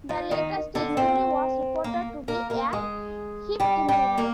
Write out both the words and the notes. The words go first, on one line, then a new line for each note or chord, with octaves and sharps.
The latest injury was reported to be a hip injury.
F3 F4
D#3 D#4
D3 D4
C4 C5
A#3 A#4
A#3 A#4
A#3 A#4
G#3 G#4
G3 G4
G3 G4
A#3 A#4